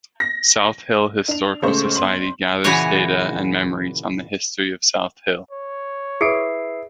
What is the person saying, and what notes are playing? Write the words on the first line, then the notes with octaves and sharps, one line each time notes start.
South Hill Historical Society gathers data and memories on the history of South Hill.
A#6
D4 F7
A1 C#3 G#3 A3 C5 C#6
G1 C6 F#7
A#2 C#3 E3 F#4 C#5 G#5
C#5
E4 G#4 B4 D#6 C7 D7